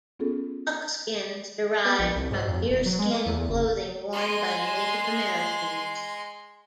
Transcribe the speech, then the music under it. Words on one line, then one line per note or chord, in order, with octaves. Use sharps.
Buckskins derive from deerskin clothing worn by Native Americans.
B3 C#4 F4 G#4 A4
B3
A#1
C2
G#2
F2
E1
F#3
G#3
A#3
E2
F#1
G#3 C6